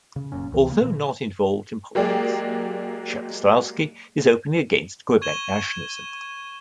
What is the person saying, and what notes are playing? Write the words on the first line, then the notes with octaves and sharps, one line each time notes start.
Although not involved in politics, Jarislowsky is openly against Quebec nationalism.
C#3
F1 F#2 A#2 C#4
C#2 E3
C#3 A#3
A#2 E3
F#3 G#3 A#3 G4 G#4 D5
C#6 G#6 D#7 E7 G7